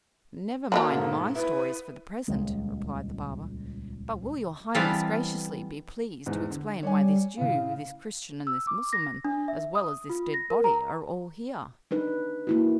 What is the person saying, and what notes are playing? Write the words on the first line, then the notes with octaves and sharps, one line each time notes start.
"Never mind my stories for the present," replied the barber, "but will your Highness graciously be pleased to explain why this Jew, this Christian, and this Mussulman, as well as this dead body, are all here?"
D3 E3 F#3 A#3
B1 G#2
E4 B4
D#1 C#2 G#3
E3 G3 B3 C4 A4 F5
E2 G#2
D3
G3 C#5 D5 G#5
A2 C#3 F5
E6
D6
A#6
D4
E5
D#6
F4
A#6
A#4
A#5
D4 D#4 B4
A#3 E4 F#4